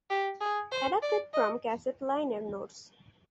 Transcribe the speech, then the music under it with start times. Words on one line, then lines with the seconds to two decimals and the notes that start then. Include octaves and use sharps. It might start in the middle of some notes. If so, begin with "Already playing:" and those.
Adapted from cassette liner notes.
0.10 G4
0.41 G#4
0.72 C5
1.02 D5
1.33 D#5